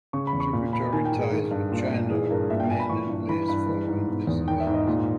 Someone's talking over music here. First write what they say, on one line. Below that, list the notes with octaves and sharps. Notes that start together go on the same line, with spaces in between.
Tributary ties with China remained in place following this event.
C#3 C#6
B5
E2
C#6
A#2
A#2 B5
D#3 G#5
G5
G#2
G#4
D#3
G2
A#2
A#2
E3 G#4
G2 A#4
A#2 E5
G5
A#2 G#5
B5
E3 C#6
G2
E3 B5
G2 B5
E3
G#2
B2
E2
D#3 G5
E5
G#2
D#5
A#2